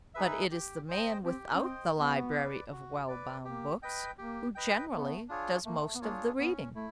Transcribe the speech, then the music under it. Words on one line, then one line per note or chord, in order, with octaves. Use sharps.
But it is the man without the library of well-bound books who generally does most of the reading.
D#4 G#4 B4 E5
G4
C5 D#5 G5
C4 G4
C#4
C4 C5 D#5 G5
B3 F#4
B4 D5
F#4
B4 D5
A#3 G4
B4 D#5 G5
A#3 G4
B4 D#5 G5
A3 B3
D4 F4 G#4 C#5
A3 A#3
B3
A#3 D4 F4 G#4 C#5
B3 C#4
A3 E4